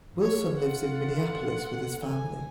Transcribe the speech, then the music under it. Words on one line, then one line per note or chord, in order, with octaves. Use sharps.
Wilson lives in Minneapolis with his family.
G#4 C#5
F4 F#5
A4
G#5